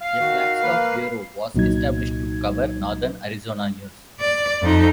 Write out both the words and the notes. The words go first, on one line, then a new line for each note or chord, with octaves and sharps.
A Flagstaff bureau was established to cover Northern Arizona news.
F5
D#3 F#4
A#3 B4
C2 A#2 F#3 D#4 G#6
D5
F2 D#4